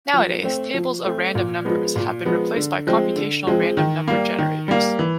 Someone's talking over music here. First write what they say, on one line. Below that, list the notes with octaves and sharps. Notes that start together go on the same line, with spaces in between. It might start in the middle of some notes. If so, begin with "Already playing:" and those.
Nowadays, tables of random numbers have been replaced by computational random number generators.
F3
A3 C4
F3
A3 C4
A#2
F3 G#3 B3
A#2
F3 G#3 B3
D3
F3 G#3 C4
D3
F3 G#3 C4
D#3
G3 A#3
D#3
G3 A#3
E3